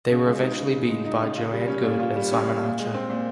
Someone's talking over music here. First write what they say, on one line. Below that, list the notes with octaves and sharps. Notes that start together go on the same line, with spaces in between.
They were eventually beaten by Joanne Goode and Simon Archer.
C#3
G#3
D#4
C#3
C#3
G#3
D#4
C#3
F4
G3
C#4
A#2
F4
G3
C#4
A#2
A#2
G#3
C4
A#2